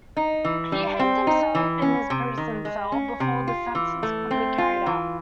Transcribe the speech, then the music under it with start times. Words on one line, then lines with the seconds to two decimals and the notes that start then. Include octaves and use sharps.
He hanged himself in his prison cell before the sentence could be carried out.
0.17 D#4
0.45 E3
0.72 G3
0.99 C4
1.27 D#4
1.55 E3
1.82 C#4
2.10 C3
2.38 D#3
2.65 G#3
2.92 C#4
3.20 C3
3.47 F4
3.75 E3
4.03 A3
4.31 C4
4.58 F4
4.86 E3